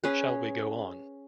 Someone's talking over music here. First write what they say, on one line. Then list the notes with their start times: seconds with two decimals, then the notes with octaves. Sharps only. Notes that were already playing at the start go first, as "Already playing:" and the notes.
Shall we go on?
0.04 C#4 G#4 B4